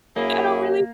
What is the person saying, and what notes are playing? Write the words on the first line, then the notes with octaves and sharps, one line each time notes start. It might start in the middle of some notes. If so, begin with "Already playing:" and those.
I don't really
F#2 A#3 E4 G#4